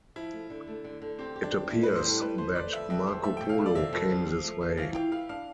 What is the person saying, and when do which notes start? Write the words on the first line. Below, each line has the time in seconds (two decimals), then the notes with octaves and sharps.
It appears that Marco Polo came this way.
0.16 F3 E4
0.32 A3
0.50 D3
0.67 A3
0.84 D3
1.02 D3
1.19 C4 G4
1.36 G4
1.44 D4
1.53 G4
1.69 A2 E4
1.83 A2 B4
1.96 C5
2.05 G3 A4
2.21 A3 B4
2.38 A3 C5
2.55 B4 D5
2.72 F2 E5
2.90 F2 E5
3.06 F2 C5
3.23 A3 E5
3.37 B2 G5
3.49 F5
3.58 A3
3.66 D5
3.75 C3 E5
3.93 F2
4.10 F3
4.26 F3
4.44 A3
4.61 F3
4.77 E3 F5
4.95 F4 G5
5.12 B4 F5
5.29 D4 F5